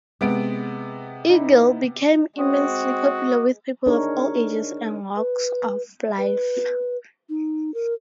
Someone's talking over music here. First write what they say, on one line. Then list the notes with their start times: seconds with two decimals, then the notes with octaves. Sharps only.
"Eagle" became immensely popular with people of all ages and walks of life.
0.21 C3 G#3 B3 D7
1.30 D#4 E4
2.39 G#3 C4 F#4 D#6
3.86 D4 D#4 G#4 A#4 C#5
5.17 B4
6.18 B4
7.29 D#4
7.74 A#4